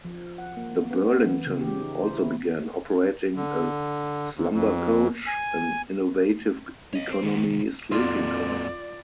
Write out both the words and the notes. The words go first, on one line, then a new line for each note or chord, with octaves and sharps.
The Burlington also began operating a slumbercoach, an innovative economy sleeping car.
F3
F#5
A#3
B3
E3
C#3
G4
D#4
C5
E4
D3
D#2
F2
G#5
C#5 D#5
C4 C5
D#3 B3
C2 D#3
F2 A#2 F#3 F4 D5